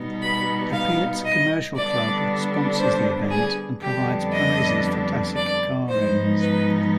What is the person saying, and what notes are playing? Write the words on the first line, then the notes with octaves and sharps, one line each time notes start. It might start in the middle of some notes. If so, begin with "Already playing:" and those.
The Pierz Commercial Club sponsors the event and provides prizes for classic car owners.
Already playing: B2 G3 B3 D#4
B5
F5
D#5
D3 G3 B3 D4 D5
C5
G#4
F2 D3 G3 B3 D4 G4
D#5
D5
G#2 F3 B3 D#4 C5
B4